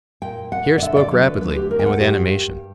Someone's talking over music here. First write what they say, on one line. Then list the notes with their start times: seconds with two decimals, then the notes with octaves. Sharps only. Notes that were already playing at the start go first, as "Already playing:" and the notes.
Pierre spoke rapidly and with animation.
0.22 A#2 G5
0.52 A#2 F#5
0.78 D5
0.82 D3 E5
0.97 D5
1.11 F#3 C#5
1.27 B4
1.41 D2 B4
1.56 G4
1.71 D2 A#4
1.79 G5
1.86 F#5
2.00 G2 G4
2.31 G2